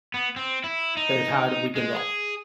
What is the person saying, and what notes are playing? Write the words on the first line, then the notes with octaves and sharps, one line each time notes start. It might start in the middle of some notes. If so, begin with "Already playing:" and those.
that I've had a weekend off.
B3
C4
E4
D#4
G#3
G#4